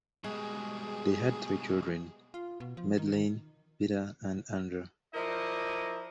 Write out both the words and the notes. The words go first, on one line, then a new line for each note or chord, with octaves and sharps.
They had three children: Madeline, Peter, and Andrew.
B2 G3 G#3 G#4
F4
B2
F3
D#3
D#3
F3 E4 A#4 D5 D#5